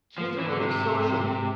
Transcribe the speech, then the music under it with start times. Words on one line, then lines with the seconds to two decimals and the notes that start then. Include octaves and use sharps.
kids are little social
0.18 G#2 F3
0.39 E3
0.48 D3
0.59 C3